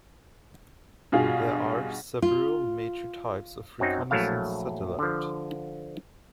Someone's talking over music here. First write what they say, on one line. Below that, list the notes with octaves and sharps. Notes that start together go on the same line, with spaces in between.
There are several major types of reconnaissance satellite.
G2 B2 F4 G#4 F5
F4
F#2 F#3 C4 D#4
A#1 F#3 A3 E4 F5
D3 F3